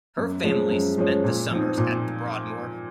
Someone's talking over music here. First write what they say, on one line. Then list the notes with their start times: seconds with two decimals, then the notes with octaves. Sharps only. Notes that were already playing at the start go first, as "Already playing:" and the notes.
Her family spent the summers at The Broadmoor.
0.18 F#2
0.44 F3 G#3 C#4
0.71 F#2
0.98 F3 G#3 C#4
1.24 A#2
1.51 F3 C4 D#4
1.78 A#2